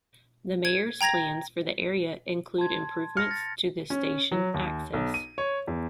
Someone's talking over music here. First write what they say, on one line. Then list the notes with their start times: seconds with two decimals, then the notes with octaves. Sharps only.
The Mayor's plans for the area include improvements to the station access.
0.65 G#6
1.01 G5 A#5 G#6 A#6 F7
2.58 A5 C6 G#6
3.17 F6 A#6 C#7
3.31 A6
3.90 C#4
4.32 F#3
4.54 D#2
4.93 B1
5.14 D#7
5.38 C#5
5.68 E2